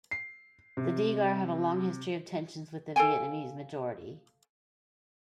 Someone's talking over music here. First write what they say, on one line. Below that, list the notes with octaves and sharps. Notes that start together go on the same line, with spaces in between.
The Degar have a long history of tensions with the Vietnamese majority.
C7
C3
A4 F5 G5 G#5